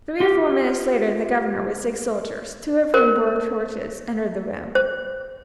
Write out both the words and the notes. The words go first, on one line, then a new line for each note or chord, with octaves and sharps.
Three or four minutes later the governor with six soldiers, two of whom bore torches, entered the room.
F4 G4
A#4 C5
C5